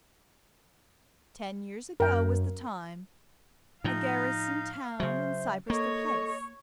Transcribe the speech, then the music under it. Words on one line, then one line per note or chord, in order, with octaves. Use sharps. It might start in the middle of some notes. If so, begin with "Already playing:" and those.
Ten years ago was the time, a garrison town in Cyprus the place.
F#2 A#4 G5
A2 F3 D#4 F5
C#3 F#3 C5 E5
A#3 A4 C#5 D#5 C#6